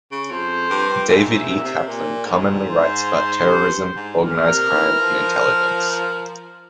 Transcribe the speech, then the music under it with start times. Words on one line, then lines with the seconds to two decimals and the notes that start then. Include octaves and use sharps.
David E. Kaplan commonly writes about terrorism, organized crime, and intelligence.
0.12 C#3
0.31 F2 C5
0.70 G2
1.09 G#2 E5
1.48 C3
1.56 A#2
1.63 C3
1.87 A#2
2.26 G#2
2.66 C5
3.44 G2
3.96 G#2
4.22 A#2 A#4
4.50 C3
4.69 F3
4.74 E3
5.01 F3